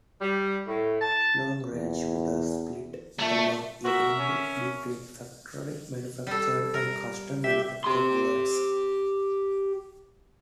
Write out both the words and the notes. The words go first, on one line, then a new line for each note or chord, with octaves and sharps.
Long-range shooters split about evenly between factory manufactured and custom-manufactured bullets.
G3
A2
A5
E2
A#2 A3
F#4 A#4 E5
C#4
G3 A4
A#4
G4 E5
G4 C6